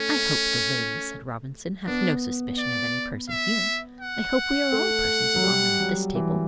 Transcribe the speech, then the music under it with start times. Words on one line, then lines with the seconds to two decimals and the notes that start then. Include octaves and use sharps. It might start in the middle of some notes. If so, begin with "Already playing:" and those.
"I hope the lady," said Robinson, "hath no suspicion of any person here. I hope we are all persons of honour at this table."
Already playing: A3 C#4
1.87 B3 D4
2.59 D5
3.30 E5
4.01 F#5
4.72 A3
5.36 F#3
5.43 G3
5.80 F#3
6.15 E3